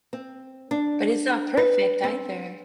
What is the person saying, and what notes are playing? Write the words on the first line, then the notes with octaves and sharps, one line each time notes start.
but it's not perfect either.
C4
D4
B4
C4